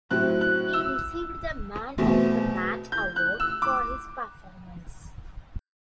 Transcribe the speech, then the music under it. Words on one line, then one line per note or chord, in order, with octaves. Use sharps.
He received the man of the match award for his performance.
A2 F#3 C4 F#6
F#6
E6
E2 B2 A3 C4
G6
F#6
E6
D6